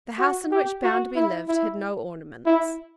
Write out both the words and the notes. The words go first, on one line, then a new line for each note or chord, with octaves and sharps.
The house in which Bounderby lived had no ornaments.
F#4
G4
F#4
E4
E4
E4